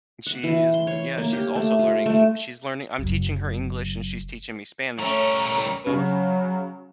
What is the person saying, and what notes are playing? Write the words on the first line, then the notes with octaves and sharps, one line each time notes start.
She's yeah, she's also learning En she's learning I'm teaching her English and she's teaching me Spanish, so we both
F#5
E3
C6
C#5
A#3
G4
A3
F4
A3
F#1 F#3
G3 A3 C#4 A#4 C#5 C#6
C#3 F#3